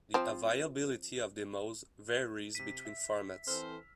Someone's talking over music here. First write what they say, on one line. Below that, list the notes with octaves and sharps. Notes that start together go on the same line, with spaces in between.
The availability of demos varies between formats.
F3 C4
C3 B6 D#7
E5
E3 C4 A4 C5 E6 F6